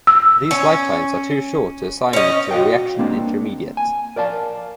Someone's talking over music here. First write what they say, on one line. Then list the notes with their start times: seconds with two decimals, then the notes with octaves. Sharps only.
These lifetimes are too short to assign to a reaction intermediate.
0.07 E6
0.51 C#4
2.13 C#4 D#5
2.51 F#4 D#5 F5 G5
2.99 A#3 C4 D4
3.77 G#5
4.16 A#4 D5 F5 A5